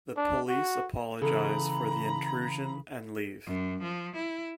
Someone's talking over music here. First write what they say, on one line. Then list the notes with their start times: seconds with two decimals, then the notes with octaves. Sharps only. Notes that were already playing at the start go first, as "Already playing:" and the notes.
The police apologize for the intrusion and leave.
0.17 D4
0.49 F#4
1.22 C#3 E3 A4 A#5 B5
3.46 F#2
3.82 F3
4.16 E4